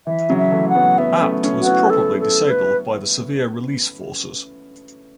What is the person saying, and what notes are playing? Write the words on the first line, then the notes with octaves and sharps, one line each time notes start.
Apt was probably disabled by the severe release forces.
E3 E5
C#3 F#3
E5
E3 A3
F#5
F#3 B3
F#3 B3 E5
A3 C#4
A3 C#4
F#4
B3 E4
A4
A4
B4